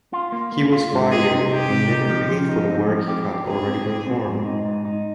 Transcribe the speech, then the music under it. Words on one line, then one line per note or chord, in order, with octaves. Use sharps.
He was fired and never paid for the work he had already performed.
F4
A#3
A#3
F4
G#2
D#4 G#4
C3
D#4 G4
C3
D#4
F3
F3
D#4
C4
F3
G4
C4
G4 G#4
C4
C4
C4
G#2
D#4
G#2
D#4